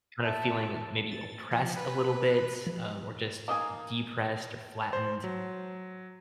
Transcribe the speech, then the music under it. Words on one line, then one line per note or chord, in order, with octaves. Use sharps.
kind of feeling maybe oppressed a little bit, um, or just depressed or flattened,
E5 A5
A6
F3
B4
F3
A#3 D#4 G#4 G#5
C5
F#3